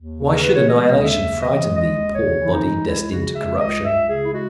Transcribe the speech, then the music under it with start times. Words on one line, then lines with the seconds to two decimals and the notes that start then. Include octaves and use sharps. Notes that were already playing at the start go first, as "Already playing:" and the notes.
Why should annihilation frighten thee, poor body, destined to corruption?
Already playing: D#2
0.18 C#3
0.31 A#4
0.43 E3 B4
0.55 C#5
0.67 G#3 D#5
0.92 D#2
1.04 E5
1.16 C#3
1.41 E3 D#5
1.65 G#3
1.77 D#5
1.89 D#2
2.13 C#3 C#5
2.38 E3
2.44 E4
2.50 D#4
2.62 G#3
2.86 C#2 E4
3.11 C#3 F#4
3.36 G#3 E5
3.60 C#2 D#5
3.84 C#2 E5
4.09 C#3 G#4
4.23 E4
4.33 G#3 F#4